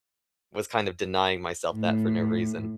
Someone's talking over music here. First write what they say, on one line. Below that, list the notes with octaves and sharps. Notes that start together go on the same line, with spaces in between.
was kind of denying myself that for no reason.
A2